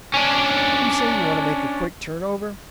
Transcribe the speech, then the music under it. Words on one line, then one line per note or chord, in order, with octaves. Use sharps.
But you say you want to make a quick turn-over?
C#4 D4